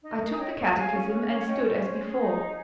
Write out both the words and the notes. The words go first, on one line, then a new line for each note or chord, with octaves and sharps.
I took the catechism, and stood as before.
D#4 D#5
A#4
G#5
C#5 D#5 G5
C#5
G#4 F5 G#5
C#4
C#4
C#5
C#4 D#5 G5
C5
C#4 C#5
G#4
D#4 D#5
G#4